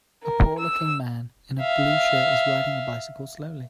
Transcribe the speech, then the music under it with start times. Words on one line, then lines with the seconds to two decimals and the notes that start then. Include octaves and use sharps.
A poor looking man in a blue shirt is riding a bicycle slowly.
0.23 A#4
0.58 E6
1.60 E5 F5